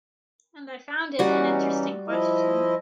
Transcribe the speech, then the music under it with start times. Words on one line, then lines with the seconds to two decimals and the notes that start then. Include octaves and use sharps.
And I found it an interesting question.
1.19 E3 G3 C#4 D#4 F#4
2.08 F3 E4 D#5